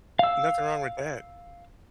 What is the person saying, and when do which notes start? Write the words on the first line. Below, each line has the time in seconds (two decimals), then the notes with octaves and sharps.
Nothing wrong with that.
0.19 F5 E6